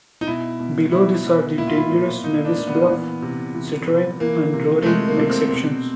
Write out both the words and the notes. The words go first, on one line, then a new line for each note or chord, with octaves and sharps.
Below these are the dangerous Nevis Bluff, Citroen and Roaring Meg sections.
D#4
B2 E4
B2
B2 E4
B2
A#2 E4
F4
E4
A#2
A#2 D#4
D4
A#2
B3
E3
C3
E3
C3
E3 A#3
C3
A3
C3 G#3
A#3
C3
C4
B2